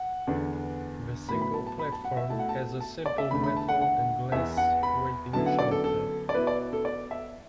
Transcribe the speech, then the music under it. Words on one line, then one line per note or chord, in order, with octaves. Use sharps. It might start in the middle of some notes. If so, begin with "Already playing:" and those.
The single platform has a simple metal and glass waiting shelter.
Already playing: F#5
E2 D3 B3 D4
A2 F#3 B3 E4 B5
B5
A5
A5
B5
A5
F#5
E5
B2 A3 E4 A5
F#5
A5
A5
D5
E5
E2 D3 A3 D4 B5
B5
A5
F#5
F#5
E2 E3 B3 E5
F#5
B5
F#2 D3 B3 E4 A5
F#5
D5
A4
A4
D5
B2 B3 E4 B4
D5
A4
D5
E5